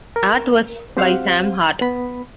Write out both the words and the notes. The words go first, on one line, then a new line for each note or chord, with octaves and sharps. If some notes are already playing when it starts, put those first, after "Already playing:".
Art was by Sam Hart.
A#4
C4 G4 C5 F5 F#5
B3 B5